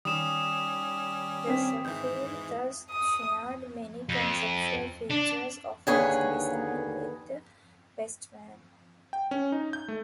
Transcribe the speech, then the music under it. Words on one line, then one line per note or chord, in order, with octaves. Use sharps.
The Safir thus shared many conceptual features of its design with the Bestmann.
D#3 G3 C#4 D#6 E7
C4 G5 B6
G#2 E3 G6
D#6
F2
D4
D#2 D3 G#4 B4 C#5
G5
C#4
D#4
G6
A3